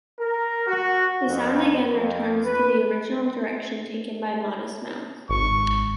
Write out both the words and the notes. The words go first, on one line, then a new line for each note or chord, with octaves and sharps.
The sound again returns to the original direction taken by “Modest Mouse”.
A#4
F#4
F2
F2
B4
G#1 C#6